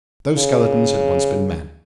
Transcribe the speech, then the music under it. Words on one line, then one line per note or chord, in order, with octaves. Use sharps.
Those skeletons had once been men.
C#3